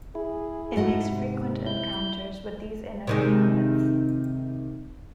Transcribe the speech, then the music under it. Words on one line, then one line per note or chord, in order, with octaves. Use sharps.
It makes frequent encounters with these inner planets.
E4 G#4
G#2 F#4 D#5 F#5
C3
E4 G6
C3 D#3 G#3